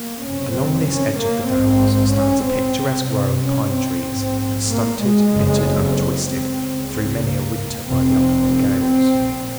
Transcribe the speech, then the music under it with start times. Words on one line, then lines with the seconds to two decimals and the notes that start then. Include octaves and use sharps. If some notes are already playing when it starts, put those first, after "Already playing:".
Along this edge of the Downs stands a picturesque row of pine-trees, stunted, bittered, and twisted through many a winter by the upland gales.
Already playing: A#3
0.23 F#1 F2 C3 C#4
0.56 C4
0.87 C#4
1.19 A#3
1.51 A#1 G#2 C4
2.15 C#4
2.47 C4
2.79 C2 C3
3.10 C4
3.42 C#4
3.74 C4
4.06 A#1 G#2
4.69 A#3
5.02 G#3
5.33 F#1 F2 C#3
6.29 C4
6.60 C#2 C#3
6.93 C4
7.24 A#3
7.88 F1 F2 C3 C4
8.84 C4
9.16 A#1 A#2